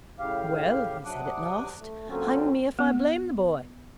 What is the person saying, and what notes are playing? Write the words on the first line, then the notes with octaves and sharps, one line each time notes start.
'Well,' he said at last, 'hang me if I blame the boy.
A2 C#3 G4 F5
C3 F#3 D4 F#5 D6 D#6
A3
A#2 D3 F#3 C4 C#4
B3